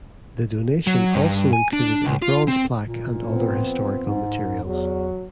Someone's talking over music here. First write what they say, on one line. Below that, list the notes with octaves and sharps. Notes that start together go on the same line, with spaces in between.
The donation also included a bronze plaque and other historical materials.
F#3
G2
G#5
D4
C#2
F4
C4
A#2
F3 B3 C4
G#2
E2 F#3